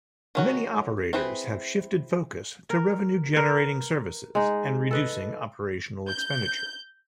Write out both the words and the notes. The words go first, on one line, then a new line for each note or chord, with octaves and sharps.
Many operators have shifted focus to revenue generating services and reducing operational expenditure.
D#3 C#4 F#4
C4 E4 G#4 B4
A#4
A#4 B4
G#3 D#4
A4 B4 D#5
G6